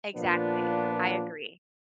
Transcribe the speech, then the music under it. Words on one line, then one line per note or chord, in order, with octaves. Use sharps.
Exactly. I agree.
A#2 F3 B3 D4